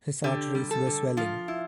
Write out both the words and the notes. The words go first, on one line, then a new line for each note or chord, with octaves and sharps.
His arteries were swelling.
D3 G4
G3
A4
D3
F3 F4
E4